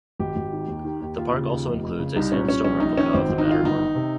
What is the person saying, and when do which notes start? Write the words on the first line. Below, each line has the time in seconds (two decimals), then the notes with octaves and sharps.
The park also includes a sandstone replica of the Matterhorn.
0.19 G#1 G4
0.36 G#1
0.53 D#3
0.68 D#2
0.84 D#3
1.01 D#2
1.18 D#2 F4
1.34 C#3
1.51 D#2
1.67 F1
1.83 F1
1.99 C#3
2.16 C2 D#4
2.32 A#2 C#4
2.48 C2 C#4
2.64 A#1 C#4
2.80 A#1 D#4
2.97 D#3 C#4
3.14 G#1 C4
3.30 G#1
3.38 D#4
3.46 D#3 F4
3.63 G1 D#4
3.79 D#3
3.95 C3